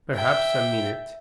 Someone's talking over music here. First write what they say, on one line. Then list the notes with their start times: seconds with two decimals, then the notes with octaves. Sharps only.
Perhaps a minute.
0.15 E5 G5